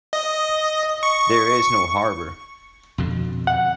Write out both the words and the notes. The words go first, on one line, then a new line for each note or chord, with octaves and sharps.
There is no harbour.
D#5
C#6
F2 B2 D3
F#5